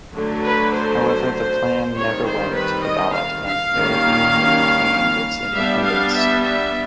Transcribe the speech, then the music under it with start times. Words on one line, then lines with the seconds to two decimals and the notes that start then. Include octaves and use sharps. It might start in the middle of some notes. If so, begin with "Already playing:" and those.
However, the plan never went to the ballot and Fairview maintained its independence.
0.13 D3 F#3 A3
0.43 B4
0.73 C5
1.93 D#3 G3 C4 C#5
2.23 C5
2.54 B4
2.84 D#5
3.14 F5
3.44 F5
3.74 D#3 G3 A#3 C#4
5.54 G3 B3 D4 E5
5.85 F5
6.15 E5
6.45 E5